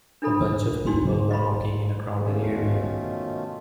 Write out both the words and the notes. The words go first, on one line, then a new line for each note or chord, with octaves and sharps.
A bunch of people are walking in a crowded area.
D4 E4 A4 B5
D4 D#4 F#4 C6
D#5 F5 B5 C6
B2 D#3 F3 A3 C#4 F4